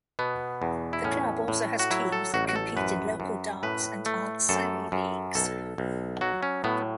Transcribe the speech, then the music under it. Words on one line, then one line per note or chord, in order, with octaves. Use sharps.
The Club also has teams that compete in local darts and Aunt Sally leagues.
B2 B3
E2
E4
A2 C#4
A2
F#4
F#3 E4
A4
A1 F#4
F#4
A4
F#2 B4
F#2
A2 B4
A3
F#2 A4
F#2
B1 A4
B1
F#3 F#4
C#4
A2 B3